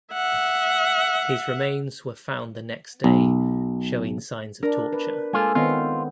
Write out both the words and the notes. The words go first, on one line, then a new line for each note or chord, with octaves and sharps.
His remains were found the next day showing signs of torture.
E5 F#5
B1
D4 A#4
B4
G#3 A#3 F4 A4 G#5
D#3 B3 C4 F4 C#5 D#5 F#5